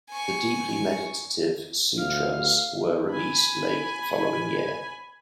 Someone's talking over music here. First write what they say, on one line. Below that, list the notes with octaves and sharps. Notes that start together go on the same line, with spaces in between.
The deeply meditative "Sutras" was released late the following year.
G#5 C#6
D2 F5 F6
G#5 B5